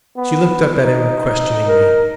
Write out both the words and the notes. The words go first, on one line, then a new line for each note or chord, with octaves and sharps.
She looked up at him questioningly.
B3
D#4
A#4